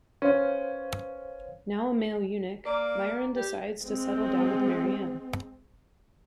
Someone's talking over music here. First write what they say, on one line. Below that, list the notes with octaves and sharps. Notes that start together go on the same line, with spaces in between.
Now a male eunuch, Myron decides to settle down with Mary-Ann.
C#4 B4 C5 F5
A#3 D5
G4
G#3 C4